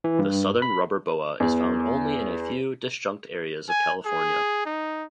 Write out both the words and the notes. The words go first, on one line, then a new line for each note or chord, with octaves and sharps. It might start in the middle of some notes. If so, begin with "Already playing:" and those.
The southern rubber boa is found only in a few disjunct areas of California.
E3
G2
B5
E2
G#5
G#4
D#4